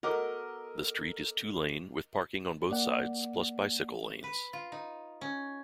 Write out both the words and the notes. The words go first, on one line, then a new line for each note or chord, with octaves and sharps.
The street is two-lane with parking on both sides plus bicycle lanes.
B3 F#4 A4 A#4 D#5 D6
A#3 D5 F#5
B4
F4
D#4
C#4